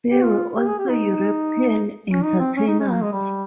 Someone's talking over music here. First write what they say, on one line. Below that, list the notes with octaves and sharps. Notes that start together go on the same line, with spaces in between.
There were also European entertainers.
G4
F4
G4
G#4
G4
D#4
C#4
D#4
C4
C#4
D#4
C#4
A#3
G#3
G3